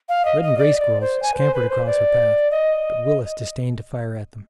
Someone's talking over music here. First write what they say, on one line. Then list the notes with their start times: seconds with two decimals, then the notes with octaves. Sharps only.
Red and gray squirrels scampered across our path, but Willis disdained to fire at them.
0.09 F5
0.25 D#5
0.42 D#5
0.58 D5
0.79 D5
1.01 C5
1.22 G#5
1.34 B4
1.38 C5
1.54 B4
1.70 C5
1.86 D5
2.51 D#5